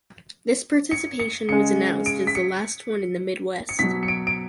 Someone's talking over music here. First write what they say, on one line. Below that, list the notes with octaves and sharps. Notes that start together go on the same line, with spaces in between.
This participation was announced as the last one in the Midwest.
C#7
C#7
C#3 G#3 C#7
D7
B6
C#7
C#7
B2 F#3 B6
C#7
D7
D7